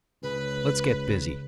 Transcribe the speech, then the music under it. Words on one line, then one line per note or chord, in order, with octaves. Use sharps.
Let's get busy.
C#2 C#3 B4